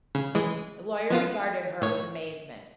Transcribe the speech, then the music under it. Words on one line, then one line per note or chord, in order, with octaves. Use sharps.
The lawyer regarded her with amazement.
C#3
E3 G#3
F3 B3 F4
A2 C#5